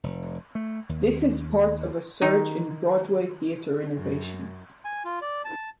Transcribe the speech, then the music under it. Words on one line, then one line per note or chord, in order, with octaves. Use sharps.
This is part of a surge in Broadway theatre renovations.
F1
A3
D#2
D#3 D#4
F#2
G#5
F4
D5
A5